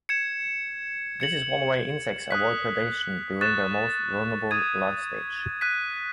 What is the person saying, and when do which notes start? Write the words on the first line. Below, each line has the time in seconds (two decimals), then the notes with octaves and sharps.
This is one way insects avoid predation during their most vulnerable life stage.
0.09 G#6 C#7 E7
1.20 G#6 C#7 F#7
2.31 D#6 F#6 B6
3.41 C#6 F#6 A6 E7
4.51 D#6 G#6 D#7
5.61 F#6 B6 D#7